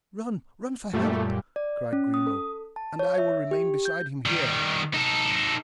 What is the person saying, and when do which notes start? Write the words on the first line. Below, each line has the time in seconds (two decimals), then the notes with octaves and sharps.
"Run! run for help!" cried Grimaud, "and I will remain beside him here."
0.93 F#2 A#2 G3 A3
1.56 D5
1.93 C#4
2.14 D#6
2.27 A4
2.76 A5
2.99 C#5
3.18 E5
3.51 G4
3.85 G6
4.26 D#3 G3
4.94 D#4 A4